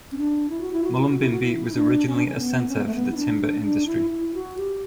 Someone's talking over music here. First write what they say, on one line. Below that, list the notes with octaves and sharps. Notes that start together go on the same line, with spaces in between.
Mullumbimby was originally a centre for the timber industry.
C#4
D4
E4
F#4
E4
F#4
E4
F#4
E4
F#4
E4
E4
D4
C#4
D4
C#4
B3
C#4
B3
A3
B3
E4
D4
D4
E4
E4
F#4
G4